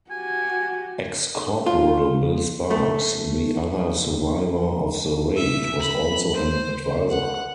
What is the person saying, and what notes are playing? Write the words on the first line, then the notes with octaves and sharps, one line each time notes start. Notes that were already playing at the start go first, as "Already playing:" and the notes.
Ex-Corporal Bill Sparks, the other survivor of the raid, was also an advisor.
F#4 G4 G#5
F4
A3
E5
B5
C5
F#5